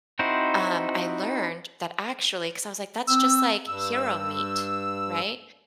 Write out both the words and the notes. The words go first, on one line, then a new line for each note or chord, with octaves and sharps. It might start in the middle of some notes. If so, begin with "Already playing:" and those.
um, I learned that actually 'cause I was like, that's just like hero meat, right?
C4 D#4 E4 F#4 C5
C4 E6
G2 E6